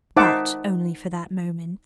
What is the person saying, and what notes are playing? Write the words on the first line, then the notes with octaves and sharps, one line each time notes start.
But only for that moment.
D#4 C5 E5 F#5 A5 D6